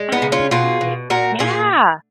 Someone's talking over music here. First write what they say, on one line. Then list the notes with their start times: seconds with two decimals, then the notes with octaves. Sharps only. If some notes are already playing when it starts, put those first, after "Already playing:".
Absolutely, yeah.
Already playing: G#3
0.12 B3 D#4
0.22 C#3
0.32 C#4 F4
0.51 B2 F4 G#4
0.81 B2
1.10 A#2 F#4 A#4
1.39 A#2 F4 G#4